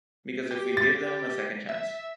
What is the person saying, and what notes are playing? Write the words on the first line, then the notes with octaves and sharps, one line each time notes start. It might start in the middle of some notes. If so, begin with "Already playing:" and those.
Because if we give them a second chance.
G4
A6
E5